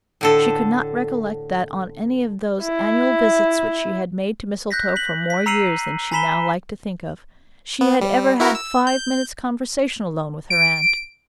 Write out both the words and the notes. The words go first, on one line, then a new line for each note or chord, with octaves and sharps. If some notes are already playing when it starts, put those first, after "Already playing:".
She could not recollect that, on any of those annual visits which she had made to Mistletoe for more years than she now liked to think of, she had ever had five minutes' conversation alone with her aunt.
A2 D3 A4
E4
F#6 G6 A#6 B6
B6 F#7
B6
A#5 E6 C7 C#7 D#7 F#7
G#5 A#5 B5 B6 E7 G7
B3
G3
E4 F#4 A#4
E6
G6
D7